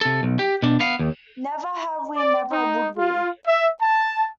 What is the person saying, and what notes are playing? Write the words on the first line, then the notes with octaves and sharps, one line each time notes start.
Never have we -- never would we.
C3 A4
B1
G4
B2 D4
B3 F5
D#2
D5
D#4
F4
E5
A5